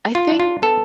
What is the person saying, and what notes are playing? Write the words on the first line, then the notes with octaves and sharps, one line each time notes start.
I think
F4
D4
F4
B3 A4